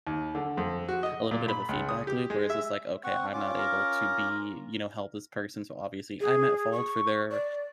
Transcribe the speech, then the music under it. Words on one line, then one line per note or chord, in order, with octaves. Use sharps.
a little bit of a feedback loop, where it's just like, "Okay, I'm not able to be" you know, "help this person, so, obviously, I'm at fault for their
D#2
D3
F2
F#4
D#5
A#2
B5
C#2
D#6
G4
G#3
E5
C4 F#5 C#6
C#4 F4 D6
A#4
G#4
C#6
D5